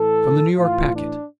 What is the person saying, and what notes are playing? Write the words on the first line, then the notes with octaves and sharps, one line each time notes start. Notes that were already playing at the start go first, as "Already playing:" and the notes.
From the New York Packet.
Already playing: A2 E3 A4
A2 E3 F4
D4